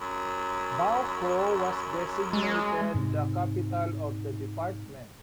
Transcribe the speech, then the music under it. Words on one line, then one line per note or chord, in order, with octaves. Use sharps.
Boaco was designated the capital of the department.
F#2
G#3
G#2 C3